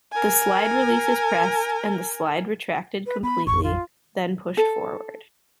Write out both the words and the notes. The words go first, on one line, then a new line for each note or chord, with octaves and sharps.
The slide release is pressed and the slide retracted completely then pushed forward.
A#4 G#5
B4
B3 B5
A1 F2 C#6
F4
A4